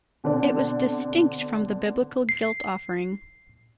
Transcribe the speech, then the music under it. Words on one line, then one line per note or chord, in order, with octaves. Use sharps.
It was distinct from the biblical guilt offering.
B2 D3 C4 D4
C7